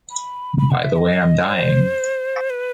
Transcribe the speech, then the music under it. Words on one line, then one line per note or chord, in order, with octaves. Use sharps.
By the way I’m dying.
B5
B5
F#5
E5
E5
D#5
C5
B4